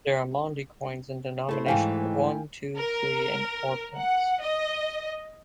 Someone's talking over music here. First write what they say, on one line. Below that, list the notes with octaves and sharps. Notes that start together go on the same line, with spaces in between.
There are Maundy coins in denominations of one, two, three and four pence.
A3 E4 A4 B4 C5
G#2 E3 D#4 F5 G5 G#5
A#4
F#5
D#5